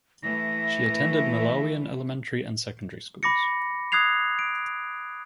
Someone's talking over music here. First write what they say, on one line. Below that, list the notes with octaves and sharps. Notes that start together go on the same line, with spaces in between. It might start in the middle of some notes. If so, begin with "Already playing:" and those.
She attended Malawian elementary and secondary schools.
E3 A3 A#6
B5 D6 A#6 C#7
D#6 F#6 G#6 C7 F7
D7